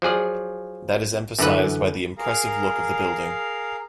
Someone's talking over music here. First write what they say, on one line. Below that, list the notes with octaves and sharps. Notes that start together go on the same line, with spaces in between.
That is emphasized by the impressive look of the building.
F3 F#3 G#4 D5
F#2 D3 E3 B4
G#4 A#4 F5 A#5